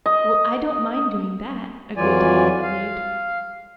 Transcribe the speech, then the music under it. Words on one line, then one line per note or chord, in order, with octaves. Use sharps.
"Well, I don't mind doing that," agreed Diana, relieved.
D#5
F2 E3 F#3 F4 D5 G#5
F5